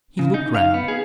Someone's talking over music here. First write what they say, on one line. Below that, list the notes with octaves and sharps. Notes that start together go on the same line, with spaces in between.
He looked round.
C#3
D#4
F5
B3
G#4